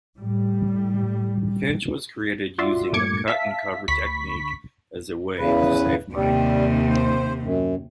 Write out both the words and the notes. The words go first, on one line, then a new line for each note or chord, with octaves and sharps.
Finch was created using the cut-and-cover technique as a way to save money.
A2 G3
F4 F#4 D5 E5 C6
G2 A#2 A3 D6 G#6 C#7
E5 F5 A5 B6
D2 B5 C#6 B6
E2 C#3 B4
D#2 C3 G3
C5
F#2